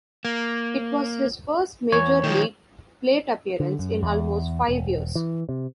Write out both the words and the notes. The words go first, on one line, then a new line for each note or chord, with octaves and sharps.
It was his first major league plate appearance in almost five years.
A#3
E2 C#5
D#3 F3
D3
F#2
E2
E1
E3
C3